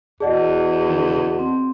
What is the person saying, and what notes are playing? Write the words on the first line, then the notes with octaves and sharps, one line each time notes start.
Oh ye
E2 F#4 G#4 D5 D#5 F#5 A5
C4